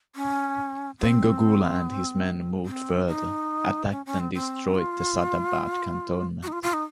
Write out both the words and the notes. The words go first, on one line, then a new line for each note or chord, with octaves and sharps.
Then Gokula and his men moved further, attacked and destroyed the Sadabad cantonment.
C#4
C4
C4
D#4
C#4
C#4
C4
C4
F4
F#4
D#4
F4
F4
D#4